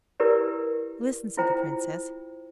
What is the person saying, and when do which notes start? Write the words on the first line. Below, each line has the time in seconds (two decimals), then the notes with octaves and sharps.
'Listen!' said the Princess.
0.20 E4 G4 A#4 B4 D5
1.37 E4 F4 C5 G5 A#5